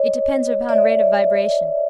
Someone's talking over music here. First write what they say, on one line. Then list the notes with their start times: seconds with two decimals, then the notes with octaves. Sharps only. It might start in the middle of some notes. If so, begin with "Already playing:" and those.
It depends upon rate of vibration.
Already playing: C#5 D#5
0.69 D5 E5